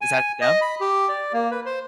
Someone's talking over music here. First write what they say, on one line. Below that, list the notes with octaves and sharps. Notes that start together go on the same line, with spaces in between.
is that them?
G#5
D#5
B5
G4
D5
A#3
B4
C5